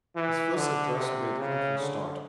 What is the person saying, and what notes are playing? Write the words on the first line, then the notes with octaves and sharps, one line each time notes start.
His first address made Catherine start.
E3
D3
C3
C#3
D3